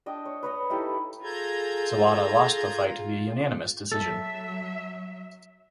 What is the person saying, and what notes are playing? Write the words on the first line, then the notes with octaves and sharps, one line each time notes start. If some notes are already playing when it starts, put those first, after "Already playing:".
Zawada lost the fight via unanimous decision.
D4 D#5 G5
C#5
B4 C#5 D#5
D#4 E4 G4 A4
F4 G#4 A4 A#5 G6 G#6
F#3 A4 E5